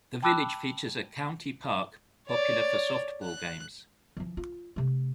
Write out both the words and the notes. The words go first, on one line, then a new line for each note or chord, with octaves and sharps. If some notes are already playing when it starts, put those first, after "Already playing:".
The village features a county park popular for softball games.
G5 A5 B5 D6 E6 F#6
C#5 D5
F#6
E3 F3
F4
C3 A3